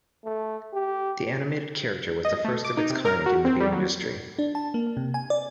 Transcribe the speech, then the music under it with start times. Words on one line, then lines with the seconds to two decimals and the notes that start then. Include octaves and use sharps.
The animated character was the first of its kind in the beer industry.
0.25 A3
0.74 G4
2.25 D#5
2.45 A3
2.65 D6
2.77 D#4
2.90 C3
3.05 A#4
3.26 F#4
3.45 C4
3.60 G3
3.72 F#3
4.39 D4
4.55 A5
4.74 A#3
4.97 C3
5.14 G#5
5.30 D5